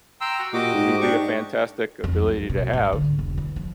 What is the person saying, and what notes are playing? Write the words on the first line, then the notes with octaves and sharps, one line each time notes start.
It would be a fantastic ability to have.
G5 A#5 C6 E6
F#4
A#2 F#4 G4 D#5 D6
G#2
D4 G4 C#6
F2
F#2
B2
G#2
D3
E1
E2
F3